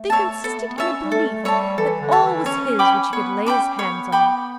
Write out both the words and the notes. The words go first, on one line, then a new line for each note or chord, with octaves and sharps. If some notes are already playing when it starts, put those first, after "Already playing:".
They consisted in a belief that all was his which he could lay his hands on.
Already playing: A3
C#5 E5 A5
B3 A4
A3
B3
C#4 C#5 E5 A5
G3
A3 A4
G3 C#5 E5 A5
E3 A4
D3
C#5 E5 A5
E3
C#4 C#5
G5 B5 D6
B3 C#5
C#4 G5 B5 D6
B3 C#5
G5 B5 D6